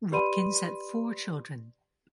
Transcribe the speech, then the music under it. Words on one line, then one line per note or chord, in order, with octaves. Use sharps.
Watkins had four children.
G4 B4 D5 B5 C6 D#7